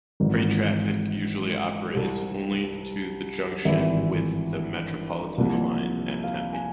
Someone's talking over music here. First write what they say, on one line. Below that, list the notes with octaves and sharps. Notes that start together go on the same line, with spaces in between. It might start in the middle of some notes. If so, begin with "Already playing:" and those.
Freight traffic usually operates only to the junction with the Metropolitan line at Tempe.
G#1 G#2 E3
C2 C3 G3
G#1 G2 E3 E5
C2 C3 F3 A#3
F5
G#5